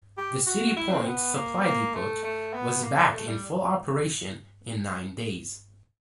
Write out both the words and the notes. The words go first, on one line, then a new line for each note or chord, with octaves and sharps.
The City Point supply depot was back in full operation in nine days.
G4
F#4
E4
C4
B3
A#3
B3
A#3
A3
A3
B3
A#3
A3
G3